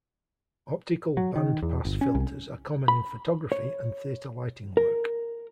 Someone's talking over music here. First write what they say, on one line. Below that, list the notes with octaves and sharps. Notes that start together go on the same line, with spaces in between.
Optical band-pass filters are common in photography and theatre lighting work.
F#3
D#3
E2
G1
C#4
C2
B5
C#5
A#4